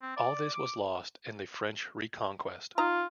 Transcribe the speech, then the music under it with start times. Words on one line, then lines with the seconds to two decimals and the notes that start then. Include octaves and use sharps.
All this was lost in the French reconquest.
0.02 C4
0.16 D5
0.53 D6
2.78 D#4 F4 A#5